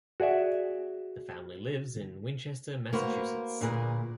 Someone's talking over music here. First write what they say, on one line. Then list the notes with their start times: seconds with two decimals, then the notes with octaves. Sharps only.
The family lives in Winchester, Massachusetts.
0.20 F#4 G#4 D5 E5
2.93 A#3 F#4 B4 C5
3.61 D2 A#2 G#4 A#4 B4